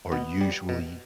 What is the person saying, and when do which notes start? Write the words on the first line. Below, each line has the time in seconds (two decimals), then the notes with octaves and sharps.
or usually
0.12 B2 B3
0.41 G3
0.69 B2